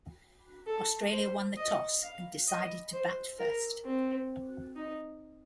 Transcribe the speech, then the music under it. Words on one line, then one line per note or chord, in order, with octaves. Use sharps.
Australia won the toss and decided to bat first.
A4
C5
D#5
F5
D#5
C5
A#4
C4
D#4